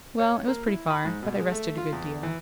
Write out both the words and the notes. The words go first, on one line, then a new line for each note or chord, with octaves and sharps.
"Well, it was pretty far, but I rested a good deal."
C#5
A#3
E4
B5
G#2
B2
G#3
A3
F4
E2
E3